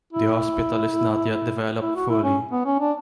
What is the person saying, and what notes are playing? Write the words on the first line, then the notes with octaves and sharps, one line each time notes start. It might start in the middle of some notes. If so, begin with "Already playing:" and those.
The hospital is not yet developed fully.
E4
E4
F#4
E4
C#4
B3
C#4
D4